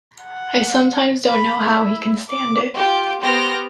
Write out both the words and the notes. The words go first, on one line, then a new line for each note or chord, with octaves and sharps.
I sometimes don't know how he can stand it.
F#5
B5
E4
D6
F4 G4
B3 G4 C5 F6 A#6